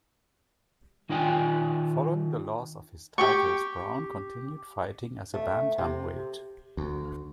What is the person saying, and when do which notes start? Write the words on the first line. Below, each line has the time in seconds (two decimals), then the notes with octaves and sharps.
Following the loss of his titles, Brown continued fighting as a bantamweight.
1.09 D#3 D#4 F4 D5 G5 G#5
3.18 G4 G5 C#6
5.34 A3
5.78 C3
6.77 D2